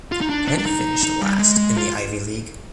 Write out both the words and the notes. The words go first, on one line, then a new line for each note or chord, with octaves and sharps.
Penn finished last in the Ivy League.
F4
D#4
D4
D4
D4
D#4
D#4
G3
G#3
G#3
F4